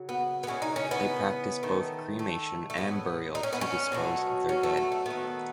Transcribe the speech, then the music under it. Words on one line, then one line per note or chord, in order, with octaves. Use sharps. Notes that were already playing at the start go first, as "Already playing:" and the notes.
They practise both cremation and burial to dispose of their dead.
Already playing: C#3 F#3
B3
B3
C#3 E3 G#3 C#4
D#4
C#4
B3
D#3 A3
A3
A3
A2 G#3 B3
D#4
C#4
B3
C#4
B2 F#3 A3
C#4
A3
A3
A3
D#3 A3 B3